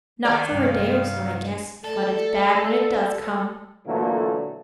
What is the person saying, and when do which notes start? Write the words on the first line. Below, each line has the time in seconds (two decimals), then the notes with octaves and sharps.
"Not for a day or so, I guess; but it's bad when it does come."
0.25 D#3 D5
0.52 G2 C3 F5
1.84 A3 A4 D5
3.86 A#2 D3 E3 F#3 A3 A#3